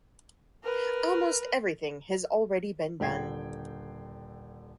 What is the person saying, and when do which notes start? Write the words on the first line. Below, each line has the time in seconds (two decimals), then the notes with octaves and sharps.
Almost everything has already been done.
0.63 A#4 B4
3.00 D#1 D3 G5 G#6 C7